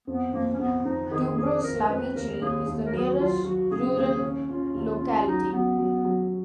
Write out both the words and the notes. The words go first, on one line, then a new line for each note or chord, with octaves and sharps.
Dubroslavichi is the nearest rural locality.
F2 B3
F2 A#3
C#4
F2 B3
F2 D#4
D#3 G#4
F2 G#4
F2 A#4
F2 B4
D#2 A#4
D#2 G#4
D#2
A#4
F#3 G#4
F#4
F#3 F4
F#3 F#4
C#3 G#4
D#2 G#4
C#4
C#4 F4
D#2
C#4
F#3 D#4
F#3 B3
F#3
F#3